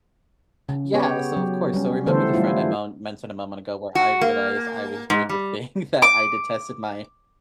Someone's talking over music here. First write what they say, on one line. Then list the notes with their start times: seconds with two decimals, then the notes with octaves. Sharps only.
Yeah. So, of course. So, remember the friend I mon mentioned a moment ago, where I realized I was doing the thing that I detested my
0.69 C#3
0.94 B3 G4 C#5
1.37 F#3
1.74 G3 C#4
2.07 D3 E3 A3 B3 A4 C5
2.34 G3 A3 D4 E4 F4
3.95 F#4
4.21 A#3
5.10 G#2
5.29 G3
6.02 D6